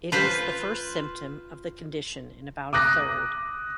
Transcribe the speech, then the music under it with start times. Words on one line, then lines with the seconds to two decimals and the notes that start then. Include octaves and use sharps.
It is the first symptom of the condition in about a third.
0.12 F4 B4 C5
2.73 D6 D#6 F#6 A#6